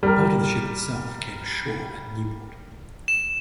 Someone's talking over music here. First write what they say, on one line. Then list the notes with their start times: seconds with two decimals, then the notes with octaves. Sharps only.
A part of the ship itself came ashore at Nieuport.
0.03 G3 A#4
3.08 E7